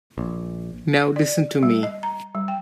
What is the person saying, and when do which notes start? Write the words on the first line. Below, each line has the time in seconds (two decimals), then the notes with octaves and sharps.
Now listen to me.
0.18 A#1
1.16 D5
1.63 G3
1.83 D#5
2.03 A#5
2.35 G3
2.48 G5